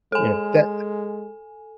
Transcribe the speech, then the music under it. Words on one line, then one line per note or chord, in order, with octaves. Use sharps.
Yep, that
G#3 A4 G#5